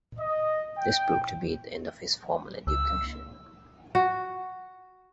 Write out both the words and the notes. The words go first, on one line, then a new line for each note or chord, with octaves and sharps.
This proved to be the end of his formal education.
D#5
G5
C#2 E6
F#4